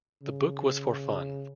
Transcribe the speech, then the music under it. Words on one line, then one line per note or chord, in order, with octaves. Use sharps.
The book was for fun.
C#3